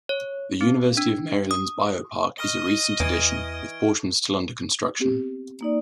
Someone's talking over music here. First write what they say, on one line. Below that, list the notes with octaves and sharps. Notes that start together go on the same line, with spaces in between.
The University of Maryland's BioPark is a recent addition, with portions still under construction.
C#5
C4
D4
D#6
D#5 C#6 D#6 F6 G7
E2 E3 G#6 D7
B3 C4 G4
A#3 D#4 D5